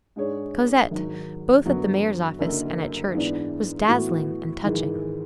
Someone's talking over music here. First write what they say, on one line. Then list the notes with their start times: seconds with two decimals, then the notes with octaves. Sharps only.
Cosette, both at the mayor's office and at church, was dazzling and touching.
0.16 G#2 G#3 D4 G#4 C#5
0.91 G#1 G#2 F#3
1.65 F#2 D3 F#3 B3 F#4
2.39 F#1 F#2 D3 F#3
3.14 G#2 E3 B3 D4
3.88 A2 E3 B3 F#4
4.63 G#1 G#2 E3 G#3